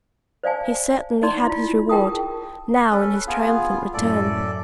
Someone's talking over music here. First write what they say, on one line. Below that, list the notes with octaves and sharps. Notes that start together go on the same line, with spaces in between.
He certainly had his reward,--now in his triumphant return.
C5 D5 F5 G#5 A5
D#4 D5 C6
E4 F4
G#4 A#4 G5 A5 D#6
C#4 A4 B4
B3 F4 G#4
F#2 A2 A4 D5